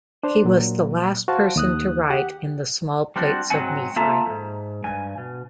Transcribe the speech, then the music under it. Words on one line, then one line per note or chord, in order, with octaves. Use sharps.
He was the last person to write in the small plates of Nephi.
D4 C5
A#2 F#3
F#4 C5 F5 A5
D#2 D#6 F#6
G4 F#5
G3 C4 D4 F#4
G#2 F#3 G#3 C4 F#5 G#5
A#3 F4 A4 E5 A5 A#5
E2 G#2
G2 G#5
B2